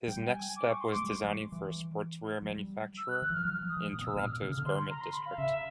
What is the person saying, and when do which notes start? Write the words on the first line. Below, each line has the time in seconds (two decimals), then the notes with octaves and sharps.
His next step was designing for a sportswear manufacturer in Toronto's garment district.
0.08 G3 G5
0.32 G#5
0.56 D6
0.69 C#6
0.81 C6
0.92 G#3 D6
1.05 G3
1.24 F#3
1.28 G3
1.52 E3
2.42 F#3
2.49 G3
2.97 E6
3.09 F#6
3.21 D#3 F#6
3.30 E3
3.33 F6
3.37 F3
3.45 F#3 F6
3.61 F3
3.69 D#6
3.77 E3
3.93 A#2 D#6
4.01 B2
4.05 A#2 E6
4.16 B2 F6
4.22 A#2
4.30 F6
4.42 D3
4.49 C#3
4.53 F6
4.58 D3
4.65 C6
4.78 C6
4.90 A#5
5.01 C6
5.13 B5
5.26 F5
5.38 C#3 E5